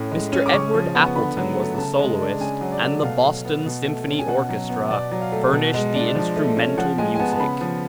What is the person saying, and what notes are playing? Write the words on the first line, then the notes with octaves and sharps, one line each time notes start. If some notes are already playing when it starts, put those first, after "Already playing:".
Mr. Edward Appleton was the soloist, and the Boston Symphony Orchestra furnished the instrumental music.
Already playing: A2 C#4
G#3
C#4
D6
C#3 C#6
F3
B3
D3 B5
F#3
A3
C#3 A5
G#3
D4
C#3 G#5
F#3
D5
A3
B2 F5
F#3
B3
B2
A3
C#4
G#5
B2 F#5
F#3
B3
B2 D5
F#3
F5
A3
B2
G#3
D4
F3
A3
C#4
F3 F#5
G#3 G#5
G#5
B3 A5
A5
C#3 B5
F3